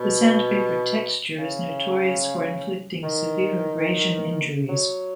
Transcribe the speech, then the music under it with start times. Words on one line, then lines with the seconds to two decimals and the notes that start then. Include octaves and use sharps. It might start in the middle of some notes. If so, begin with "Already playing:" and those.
The sandpaper texture is notorious for inflicting severe abrasion injuries.
Already playing: B2
1.38 C#3
3.03 D#3
4.69 F#3